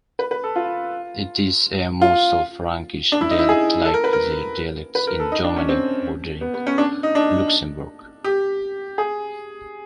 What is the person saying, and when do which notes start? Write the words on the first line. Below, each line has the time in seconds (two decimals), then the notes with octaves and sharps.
It is a Mosel-Frankish dialect like the dialects in Germany bordering Luxembourg.
0.19 B4
0.31 B4
0.44 A4
0.56 F4
2.02 F4
3.12 D4
3.21 E4
3.31 D#4
3.39 E4
3.49 G#4
3.85 A4
3.94 A#4
4.04 B4
4.13 A#4
4.95 B4
5.07 A#4
5.20 A4
5.32 D#4
5.44 D4
5.57 C#4
5.69 C4
6.41 B3
6.54 B3
6.67 C#4
6.78 D4
7.03 D#4
7.15 D4
8.24 G4
8.98 G#4